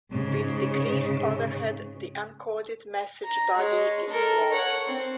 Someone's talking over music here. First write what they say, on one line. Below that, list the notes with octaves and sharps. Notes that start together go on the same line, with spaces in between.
With decreased overhead, the encoded message body is smaller.
G#2 C#3
A#5
G#3 C#5
A4 A#4
C#5 F#5
C4